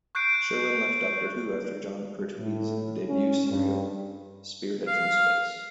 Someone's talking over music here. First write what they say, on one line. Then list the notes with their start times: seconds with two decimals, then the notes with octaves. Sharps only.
Sherwin left "Doctor Who" after Jon Pertwee's debut serial, "Spearhead from Space".
0.15 C#6 F#6 G6 C7 D7
2.38 A2
3.07 C#4
3.49 G2
4.87 F5